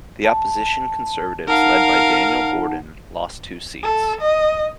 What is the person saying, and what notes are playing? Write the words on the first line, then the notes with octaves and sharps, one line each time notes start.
The opposition Conservatives, led by Daniel Gordon, lost two seats.
A5
D#4 A#4 F5 F#5 A5
A4
D#5